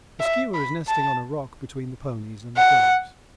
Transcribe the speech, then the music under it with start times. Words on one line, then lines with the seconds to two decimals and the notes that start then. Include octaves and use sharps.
A skua is nesting on a rock between the ponies and the dogs.
0.20 E5
0.54 B5
0.87 A5
2.57 F#5